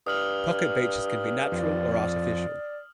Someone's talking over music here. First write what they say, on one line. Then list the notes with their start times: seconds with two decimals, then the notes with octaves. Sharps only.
Pocket beaches can be natural or artificial.
0.07 G2 D#6 F6 F#7
1.52 F2 D5